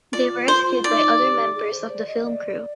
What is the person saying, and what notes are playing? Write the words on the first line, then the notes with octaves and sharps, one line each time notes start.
They were rescued by other members of the film crew.
F4 D5
C5
D#4 F4 D5
G4
G#4
C5
D5
D#5
D5